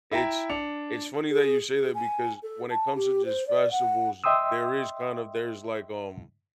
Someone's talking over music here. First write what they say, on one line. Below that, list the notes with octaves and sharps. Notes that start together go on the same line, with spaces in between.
it's It's funny that you say that because when it comes to just festivals, there is kind of there's like, um
E4 E5 G5 A#5
D4 C#7 F7
G#4
G#4
G#5
A4
A5
G4
C5
D5
F#5
D#5 E5 G5 C6 D#6 E6